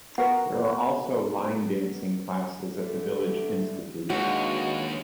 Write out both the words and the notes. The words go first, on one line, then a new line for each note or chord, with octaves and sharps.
There are also line dancing classes at the Village Institute.
B3 F#4 A#4 F#5
D3 A3
D#2 F#3 G#3 D4 F#4 B4 D#5 F5